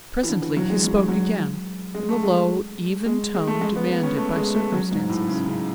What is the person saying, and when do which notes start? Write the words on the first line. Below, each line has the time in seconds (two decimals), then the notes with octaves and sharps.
Presently he spoke again, in the low, even tone demanded by circumstances.
0.23 E3
0.29 D3
0.42 E3
0.57 F#3
0.70 G#3
0.85 F#3
0.95 G#3
1.08 F#3
1.95 G#3
2.09 A3
2.23 G#3
3.06 G#3
3.35 G#3
3.47 A3
3.61 G#3
3.76 B3
3.90 B3
4.03 C#4
4.17 A3
4.36 G#3
4.55 A3
4.72 F#3
4.92 G#2
5.09 A2
5.28 C#3
5.47 C#3